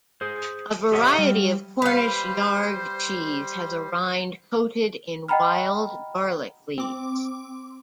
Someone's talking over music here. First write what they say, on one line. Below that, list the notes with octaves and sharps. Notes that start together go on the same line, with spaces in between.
A variety of Cornish Yarg cheese has a rind coated in wild garlic leaves.
G#4 C5
G4 A4 C#5 D#5 E5 F#5
G3
G3 B4 C5 F5
D#5 F#5 G5 A#5 B5 F6
C4 D6